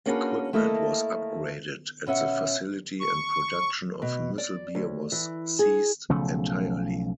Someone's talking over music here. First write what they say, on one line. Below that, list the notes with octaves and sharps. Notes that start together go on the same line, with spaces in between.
Equipment was upgraded at the facility and production of Muessel beer was ceased entirely.
A#3 C#4 D4 F#4 G#4 B4
A3 A#3 E4 A4 D#5
B2 C#4 E5 F#5
C#6
B2
D5
D2
E3
G#4
B1 C#3 F3 A3